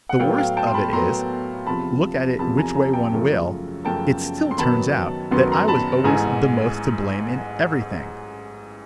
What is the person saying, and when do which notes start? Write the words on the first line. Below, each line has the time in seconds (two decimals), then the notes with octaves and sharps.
The worst of it is, look at it which way one will, it still turns out that I was always the most to blame in everything.
0.09 F#5
0.19 A2 F#3 B3 F5 G5
0.38 F5 G5
0.57 G5 A5
0.67 C6
0.74 A5 B5
0.93 A2 F#3 B3 A#5 C6
1.66 E2 C3 F3 A5 B5
2.39 E2 C3 F3 A5 B5
2.57 G#5 A#5
2.75 G#5 A#5
2.93 G5 A5
3.12 F#2 C#3 F3 A3
3.85 F#2 C#3 F3 A3 G5 A5
4.51 C6
4.58 F#2 D#3 F#3 B3 A5 B5
5.31 F#2 D#3 F#3 B3 C6
5.52 A#5 C6
5.68 A5 B5
6.04 A1 G#2 E3 G#5 A#5